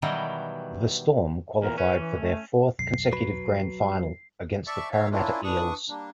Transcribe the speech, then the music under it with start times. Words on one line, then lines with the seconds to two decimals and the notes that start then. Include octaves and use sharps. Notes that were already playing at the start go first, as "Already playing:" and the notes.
The Storm qualified for their fourth consecutive grand final, against the Parramatta Eels.
0.02 B2 D#3 E3 F#3 G3
1.62 E2 A#2 A#4
1.78 C#4 B4
1.98 E3
2.20 A3
2.79 E1 B1 F#2 C7
3.13 F#3 B4
4.67 D5 E5 A5 C#6
4.91 D#3 C#5 E5 F5
5.11 A#3 C#4 D4 E4 F4
5.44 E3 D4 C#6 D#6
5.89 G3 A#3 D4